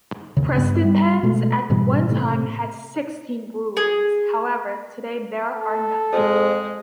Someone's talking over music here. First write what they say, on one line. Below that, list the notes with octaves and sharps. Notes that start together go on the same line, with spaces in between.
Prestonpans at one time had sixteen breweries however, today there are none.
D#2 C#3
G2 B3
G3
B2 G#3 A3
G#2 B2 E3 G3
A2 C3 A3
G#4
A4
F2 G#3